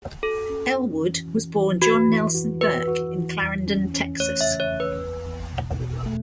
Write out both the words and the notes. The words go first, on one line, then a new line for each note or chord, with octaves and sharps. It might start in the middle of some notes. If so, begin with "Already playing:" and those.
Ellwood was born Jon Nelson Burke in Clarendon, Texas.
F#4 A4
C#4
C#4
E3
E3
E3
F#4 B4
E3
F#4
F#4 B4
F#4
E3
E2
C#4
C#4
A3 C#5
E5
C#3
C#5
E2
B4
E2
E2
B2
B2
A3